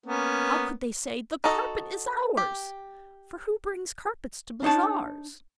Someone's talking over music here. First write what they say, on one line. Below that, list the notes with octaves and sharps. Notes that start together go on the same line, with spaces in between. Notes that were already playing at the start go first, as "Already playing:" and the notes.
How could they say, 'The carpet is ours!' For who brings carpets to bazaars?
A#3 B3 C#4
D#4 F#4 A4 D#5
G4
D4 D#4 C#5 A5